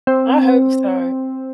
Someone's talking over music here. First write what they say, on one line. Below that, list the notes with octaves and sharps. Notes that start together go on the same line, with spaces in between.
I hope so.
C4